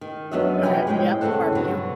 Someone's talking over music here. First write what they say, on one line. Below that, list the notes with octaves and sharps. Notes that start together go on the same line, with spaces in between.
Okay. Yep. Barbecue.
D#3
F#2 F#3 B3 D4 D#5 E5
F2 C3 F3 B4 G5 G#5
A2 G#3 C5 D#5 G5
E2 C#3 A3 C4 A4 F#5
G2 B2 D3 F#3